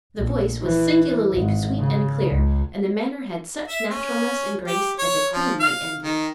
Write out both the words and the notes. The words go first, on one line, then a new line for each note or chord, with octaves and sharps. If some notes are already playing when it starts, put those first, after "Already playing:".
The voice was singularly sweet and clear, and the manner had such naturalness and grace as a queen might envy.
A#1
E3
G#1
C#3
C#2
E5
C#4
G4
C#5
F3
F5
D#3